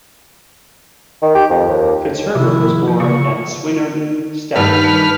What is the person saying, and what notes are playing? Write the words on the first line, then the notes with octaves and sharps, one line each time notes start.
Fitzherbert was born at Swynnerton, Staffordshire.
D#3
G4
F2
D#2
C3 D#3 F3 E4
F3
C#3 C#6
G2 D#3 G3 A3 A4 B4 F6